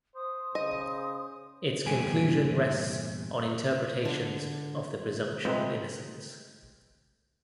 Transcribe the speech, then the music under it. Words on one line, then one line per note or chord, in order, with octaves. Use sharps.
Its conclusion rests on interpretations of the presumption of innocence.
C5 D#6
C#3 D#5
E2 G2 A#2 A3 G4 G#5
D3
G#3 A3 C4 D#4 F4 B4